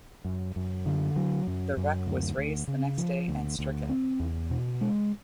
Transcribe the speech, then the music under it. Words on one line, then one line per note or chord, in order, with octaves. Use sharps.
The wreck was raised the next day and stricken.
F#2
F#2
D3
F#3
F#2
F#2
D2
D2
C#3
F3
D2
D2
C4
E2
B2
G#3